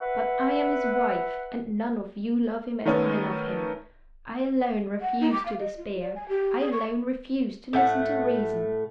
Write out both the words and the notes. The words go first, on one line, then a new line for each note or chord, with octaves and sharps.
But I am his wife; and none of you love him as I love him. I alone refuse to despair; I alone refuse to listen to reason.
B4 E5 F#5
D#3 A3 B3 C#4
F#5
D#4
D6
F5
D#5
F4
D5
G#5
G4
G#4
C#6
A2 A3 F#5